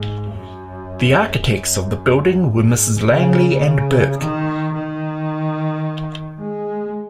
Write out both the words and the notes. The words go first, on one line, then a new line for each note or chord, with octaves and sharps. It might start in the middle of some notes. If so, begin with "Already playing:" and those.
The architects of the building were Messrs. Langley and Burke.
Already playing: G#2
F#2
F#2
G#2
C#3
C#3
D#3
D#3
G#3